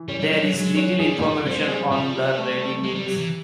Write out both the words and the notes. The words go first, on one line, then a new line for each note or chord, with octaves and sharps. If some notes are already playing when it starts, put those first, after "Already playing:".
There is little information on the Radimichs.
Already playing: E3
G3 C#4
G3
G3 C#4
F#3
F#3 G#3
C#4
G3 G#4
F4
G3 C4
G#3
G3 G#4
F3 G3
C3
A3
A3
C3 G#3
G3
C3 F#3
E3